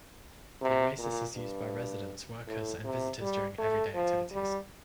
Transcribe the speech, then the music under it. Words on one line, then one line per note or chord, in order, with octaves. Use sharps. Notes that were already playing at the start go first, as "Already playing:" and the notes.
The oasis is used by residents, workers, and visitors during everyday activities.
C3
A#2
G2
A2
C3
G3
A3
F3
G3